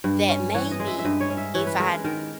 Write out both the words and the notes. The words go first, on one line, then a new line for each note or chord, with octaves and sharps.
that maybe if I
G2
C#4
E3 C#5
D#5
G#3
E5
E5
G2 D#5
C#5
C#4
E5
E3 C#5
B4
G#3 A#4
D#3 A#4